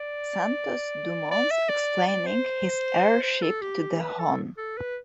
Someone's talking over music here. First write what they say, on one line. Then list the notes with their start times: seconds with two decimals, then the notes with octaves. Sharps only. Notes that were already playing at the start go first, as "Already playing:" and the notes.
Santos Dumont Explaining His Air Ship to the Hon.
Already playing: D5
1.31 D5
1.51 E5
1.69 D5
2.08 D5
2.27 C5
3.23 C5
3.42 A4
3.62 G4
4.00 B4
4.19 A4
4.57 A4
4.77 B4